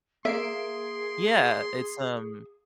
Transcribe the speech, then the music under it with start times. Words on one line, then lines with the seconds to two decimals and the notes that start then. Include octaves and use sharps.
Yeah, it's, um
0.25 A#3 G#4 E5 C6 C7 D7